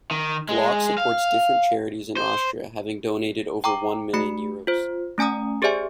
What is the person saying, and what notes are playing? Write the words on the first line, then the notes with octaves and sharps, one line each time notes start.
Glock supports different charities in Austria, having donated over one million euros.
D#3
G#3
F5
C5
G5 A#5 C#6 D6
A3 F#4 B5 C#7
F4 C5
A3 C#4 G#5 A#5 D#6
G4 G#4 C5 D5 E5 G#5